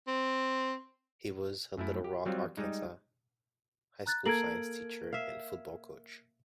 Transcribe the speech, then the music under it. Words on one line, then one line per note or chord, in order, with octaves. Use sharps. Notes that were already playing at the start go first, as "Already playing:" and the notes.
He was a Little Rock, Arkansas, high school science teacher and football coach.
C4
F#2 A3 E4
G4
F#3 G3 C4 F4
G3 G#3 D#4
A#5 F#6 A6
A#3 A4 A#4 G#6 D7 F#7
E5 F5